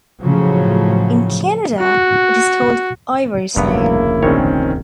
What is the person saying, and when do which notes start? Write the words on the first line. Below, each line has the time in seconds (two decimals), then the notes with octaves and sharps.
In Canada, it is called Ivory Snow.
0.22 A2 C#3 F3 F#3
1.79 F#4
3.56 F1 D2 G2 C#3 A#3 B3 E4
4.23 A#1 D#3 C4 C#4 C#5